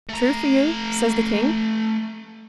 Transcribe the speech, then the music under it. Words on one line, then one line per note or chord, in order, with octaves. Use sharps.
"True for you," says the king.
A3 A#5